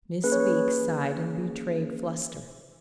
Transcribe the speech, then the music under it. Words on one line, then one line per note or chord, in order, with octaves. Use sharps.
Miss Weeks sighed and betrayed fluster.
A#3 C#4 G#4 B4
C#5
B4